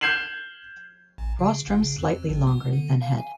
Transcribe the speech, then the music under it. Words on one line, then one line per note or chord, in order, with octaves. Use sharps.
Rostrum slightly longer than head.
F6 G6 G#6 C7 E7 F#7
A1
C#3
G1
C#3
F2
G#1
B3
D3
F5
G#5